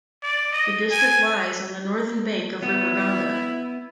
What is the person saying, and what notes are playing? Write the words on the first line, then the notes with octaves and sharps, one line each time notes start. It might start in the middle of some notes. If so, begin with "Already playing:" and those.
The district lies on the northern bank of river Ganga.
D5
D#5
G#5
B3 E4